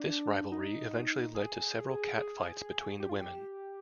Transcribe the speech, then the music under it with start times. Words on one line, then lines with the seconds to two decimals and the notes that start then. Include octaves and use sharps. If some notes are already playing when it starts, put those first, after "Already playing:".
This rivalry eventually led to several catfights between the women.
Already playing: D4
0.52 D#4
1.35 G#4
2.18 G#4
3.00 G4
3.09 F4
3.19 G4